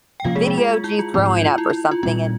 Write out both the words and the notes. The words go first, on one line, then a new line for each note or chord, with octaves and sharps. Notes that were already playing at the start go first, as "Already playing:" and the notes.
videoed you throwing up or something, and
G5
C3 F3 A#3 C#4 F4 F5
G#3 G#4
G#3 G#4
F4
F4
E4
F4
G#2 F3 C4 E4
E4
F4
F4
E4
E4
F4
A#2 G3 C4 F4